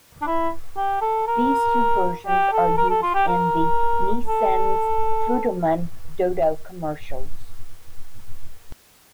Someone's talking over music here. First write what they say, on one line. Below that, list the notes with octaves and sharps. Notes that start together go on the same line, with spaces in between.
These two versions are used in the Nissin's Futomen Dodo commercials.
D4
E4
G4
A4
A#4
G4
A4
A#4
A4
F4
G4
A#4
A4